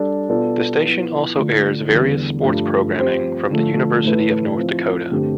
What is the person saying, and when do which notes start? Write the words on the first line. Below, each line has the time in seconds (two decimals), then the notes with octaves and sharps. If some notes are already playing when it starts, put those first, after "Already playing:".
The station also airs various sports programming from the University of North Dakota.
Already playing: G3 D4 A4 D5
0.29 B2 B3 F4 A4 D5
0.83 F3 B3 E4
1.36 D3 A3 D4 F4
1.90 E2 D3 G3 B3
2.43 G2 F3 A3
2.96 F3 C4 G4 C5
3.50 D3 F3 A3
4.04 A2 E3 A3 E4 B4
4.57 F3 C4 E4
5.10 G2 D3 A3 C4 G4